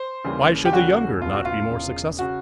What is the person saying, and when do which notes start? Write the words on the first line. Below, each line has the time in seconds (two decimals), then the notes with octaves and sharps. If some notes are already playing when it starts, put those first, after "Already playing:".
Why should the younger not be more successful?
Already playing: C5
0.24 D#2 C#3 E3 G3
0.65 G4
0.73 D#2 C#3 E3 G3 F#4
1.21 E1 E2 C#3 F4
1.33 F#4
1.45 F4
1.70 E1 E2 C#3
2.19 C#3 F#4